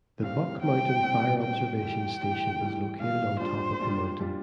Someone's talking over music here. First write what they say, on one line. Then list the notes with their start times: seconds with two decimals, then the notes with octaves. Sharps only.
The Buck Mountain Fire Observation Station is located on top of the mountain.
0.22 A2 G3 C4 F5
0.62 A2 G3 C4 G5
1.01 A2 G3 C4
1.41 A2 G3 C4 G5
1.80 A2 E3 G3 G5
2.20 A2 E3 G3
2.60 A2 E3 G3
3.00 A2 E3 G3 F5
3.39 A#2 G3 D4 F4 C5
3.79 A#2 G3 D4 F4
4.19 A#2 G3 D4 F4